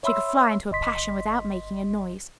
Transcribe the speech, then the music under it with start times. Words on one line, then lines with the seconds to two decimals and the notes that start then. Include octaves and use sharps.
She could fly into a passion without making a noise.
0.03 C#5 E5 B5 C6 E6
0.71 G1 D#5 C6 B6